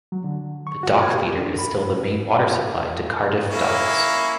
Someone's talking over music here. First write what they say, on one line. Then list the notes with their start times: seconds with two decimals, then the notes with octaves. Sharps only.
The dock feeder is still the main water supply to Cardiff Docks.
0.12 F#3
0.24 D3
0.67 C#6
0.83 F#4
1.03 G#6
1.14 G4
1.38 D4
1.59 B5
3.50 A#3 C#4 E4